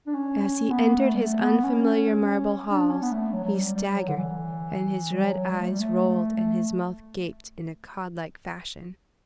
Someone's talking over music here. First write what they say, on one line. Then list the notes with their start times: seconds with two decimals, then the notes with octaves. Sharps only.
As he entered his unfamiliar marble halls he staggered, and his red eyes rolled and his mouth gaped in a cod-like fashion.
0.07 D4
0.14 C#4
0.43 C#4
0.70 B3
0.99 A3
1.14 G3
1.21 A3
1.42 B3
1.64 C#4
1.84 C#4
2.70 D4
2.90 C#4
3.02 B3
3.11 A3
3.33 F#3
3.44 F#3
3.54 G3
3.75 G3
3.96 F#3
4.08 D3
4.17 E3
5.12 G3
5.24 F#3
5.51 G3
5.60 A3
5.69 G3
5.80 A3
6.08 A3
6.37 A3